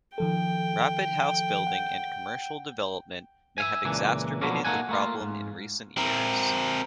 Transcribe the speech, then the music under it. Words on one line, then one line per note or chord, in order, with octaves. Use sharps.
Rapid house-building and commercial development may have exacerbated the problem in recent years.
D#3 F3 A4 G5
F#5
E5 F5 G#5
C#2 A#2 E3 D4 G#5
B2 D3 F3 F#3 A#3 C#4
A#3 D#4 A4 F#5 G#5
A3 A#3 F4
G#2
C4 A#4